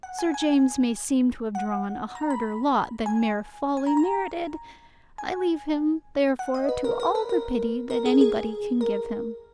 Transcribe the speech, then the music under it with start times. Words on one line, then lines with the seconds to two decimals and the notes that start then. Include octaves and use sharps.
Sir James may seem to have drawn a harder lot than mere folly merited; I leave him, therefore, to all the pity that anybody can give him.
0.03 F#5
0.19 G#5
0.34 G#5
1.55 F#5
2.15 A#5
2.30 B5
3.06 G#5
3.77 G#5
3.87 A#5
3.97 A#5
5.18 G#5
6.39 F#5
6.54 D#5
6.69 B4
6.84 A#4
7.00 A#4
7.15 B4
7.29 A#4
7.90 A#4
8.06 G#4
8.21 G#4
8.81 A#4